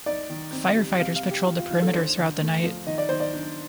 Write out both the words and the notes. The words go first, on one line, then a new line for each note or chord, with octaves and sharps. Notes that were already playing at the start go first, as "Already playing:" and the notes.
Firefighters patrolled the perimeter throughout the night.
D#4 D5
D#3
C4
G3
C3 F5
F5
C3
G4
G3 F4
F4
D#3 F4
A4
D4 C5
D3
A3
F3
D#3 D#5
D5
D#3 C5
D5
D4